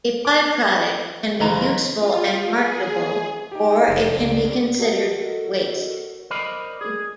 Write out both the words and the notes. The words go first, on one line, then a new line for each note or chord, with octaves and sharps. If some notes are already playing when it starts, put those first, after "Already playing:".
A by-product can be useful and marketable or it can be considered waste.
D6
F#1 E3 D#5 A#5 B5
F4
G#4
D#4 G4 G5
F1 G#3 C4 D4
C#2 D5
F#4 A4 A#4 D#5 F#5
A#4 C5 D5 D#5 B5
G#4